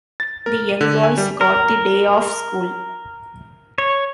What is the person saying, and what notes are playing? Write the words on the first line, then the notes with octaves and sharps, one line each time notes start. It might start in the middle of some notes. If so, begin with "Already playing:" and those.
The young boys got the day off school.
A6
A#4
D#7
D3
G#5
G3
A#4
C#5